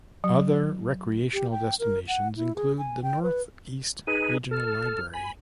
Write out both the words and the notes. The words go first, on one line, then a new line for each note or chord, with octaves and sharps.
Other recreational destinations include the Northeast Regional Library.
F#3
G4
G5
A#4
F#5
E4
G#4
G#5
G5
B4
D#4 G#4 B4 D#7
A4 F6
G#5 B5